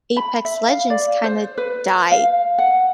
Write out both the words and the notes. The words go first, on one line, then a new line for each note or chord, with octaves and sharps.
Apex Legends, kinda, died
B5
E5
F5
D5
C5
B4
F5
F#5